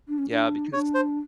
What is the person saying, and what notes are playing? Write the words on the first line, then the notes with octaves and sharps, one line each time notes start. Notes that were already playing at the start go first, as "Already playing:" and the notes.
Yeah, because
D4
C#4
D4
D#4
D4 C#5
C5